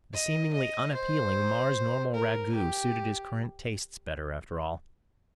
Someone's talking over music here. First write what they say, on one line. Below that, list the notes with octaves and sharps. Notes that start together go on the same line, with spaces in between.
The seemingly unappealing Mars-normal ragout suited his current tastes better, after all.
D#5
D#5
C5
A#4
G4